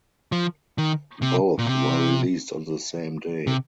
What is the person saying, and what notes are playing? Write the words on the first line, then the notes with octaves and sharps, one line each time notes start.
Both were released on the same day.
F3
D#3
C3
A#2
C3
C3